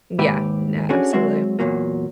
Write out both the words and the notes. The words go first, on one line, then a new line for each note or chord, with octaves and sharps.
Yeah. No, absolutely.
D#2 G#2 G4 B4 E5
C#4 D4 F#4 G#4 A4
F#3 G#3 C4 F#4 E5
E2 G2 A#2 F#3 A#3